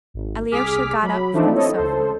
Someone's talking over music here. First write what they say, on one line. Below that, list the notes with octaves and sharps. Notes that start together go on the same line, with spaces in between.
Alyosha got up from the sofa.
G#1
C2 G#4 D6 F6 B6
F#3 B5
E3 F3 A3 C4 D4 D#4
C4 E4 A4 C#5 D#5
C#2 A4 C5